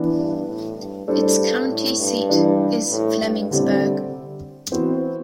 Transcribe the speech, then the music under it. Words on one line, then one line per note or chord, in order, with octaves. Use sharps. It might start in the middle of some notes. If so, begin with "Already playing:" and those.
Its county seat is Flemingsburg.
Already playing: E3 B3 D4
G2
A2
G2
A2 G3 D4 A4 C5
G2
A2
G2
E3 G3 D4
A2
G2
A2 D3 G3 C4 G4 D5
C3
E3 B3 C4 F#4 C5